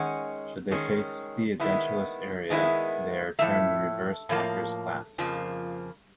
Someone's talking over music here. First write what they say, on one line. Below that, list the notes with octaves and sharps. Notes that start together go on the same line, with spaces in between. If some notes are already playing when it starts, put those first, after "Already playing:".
Should they face the edentulous area, they are termed reverse Akers' clasps.
Already playing: D#3 G#3 C#4 F#5
D#3 G#3 C#4
D#3 G#3 B3 E4
D#3 G#3 B3 E4
A2 F3 A#3 E5
A2 F3 A#3
F2 C#3 F3 A#3